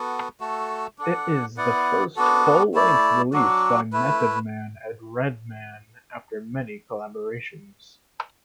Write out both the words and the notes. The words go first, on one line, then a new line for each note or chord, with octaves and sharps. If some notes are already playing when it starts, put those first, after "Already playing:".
It is the first full-length release by Method Man and Redman after many collaborations.
Already playing: B3 F#4 A4
A3 F#4 A4
D4 A4 F#5
B3 E4 D5 F#5
B3 D4 F#4 A4
A3 E4 D5
F#3 D4 F#4
A3 E4 B4